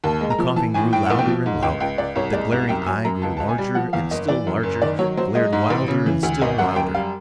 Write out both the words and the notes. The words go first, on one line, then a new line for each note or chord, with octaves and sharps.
The coughing grew louder and louder, the glaring eye grew larger and still larger, glared wilder and still wilder.
D#2 A5
G#3
A#5
F3
E3 A5
A2 G#5
A2 G5
A#1 F#5
G5
F3
G#2
C#2 G5
C#2 G5
C#2 D5
C2 C#5
G#3 D5
C2
F#2 G5
F#3 G#5
F#2 A#5
C#2 A5
C#2 A5
G#5
G3
F3 F#5
E2 F5
F#1 D#5
E3 D5
F#2
F#1
D#3 D5
F#3 C#5
F#3 C5
G#3 D#5
G#2
A1
C#3
E3
D2
G#1 D#5
F#2 F#5
F#2 G5
G3 F5